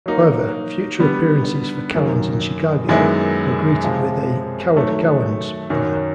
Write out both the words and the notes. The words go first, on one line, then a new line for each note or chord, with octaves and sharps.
However, future appearances for Cowens in Chicago were greeted with a "Coward Cowens" banner.
F#3 A#3 D#4 F#4
D3 G3 B3
F#2 D#3 F#3 A#3
F#2 D#3 G#3 B3 E4
C3 F3 G#3
D#3 F#3 A3
F#2 D#3 F#3